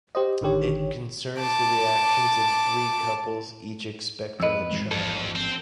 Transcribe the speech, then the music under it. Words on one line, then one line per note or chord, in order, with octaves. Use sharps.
It concerns the reactions of three couples each expecting a child.
G4 C5 D#5
A1 D3 D#3 G4 C#5
A5 D6
F2 B4 D#5 E6
G#2 E3 G#3
A1 F2 G#2 F3 A4
C4